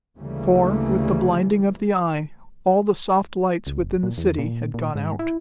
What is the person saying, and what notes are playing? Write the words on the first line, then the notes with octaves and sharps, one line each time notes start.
For, with the blinding of the Eye, all the soft lights within the city had gone out.
D2 C#3 E3 G3 A3 A#3
C#2
F1
A#2
E2
A#2
A#2
G#2
E4